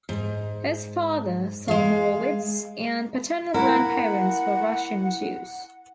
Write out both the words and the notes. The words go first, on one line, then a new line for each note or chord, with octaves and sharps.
His father, Sol Horowitz, and paternal grandparents were Russian Jews.
G#2
G#3 F5
A#3 E4 A#4 F#5